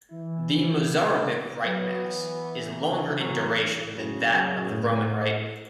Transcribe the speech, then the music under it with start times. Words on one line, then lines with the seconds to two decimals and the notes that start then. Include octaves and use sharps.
The Mozarabic Rite Mass is longer in duration than that of the Roman Rite.
0.11 E3 E4
1.65 F#3 B3
2.03 E3
3.17 F#3
3.94 F#2 C#3
4.33 F#2
4.71 A2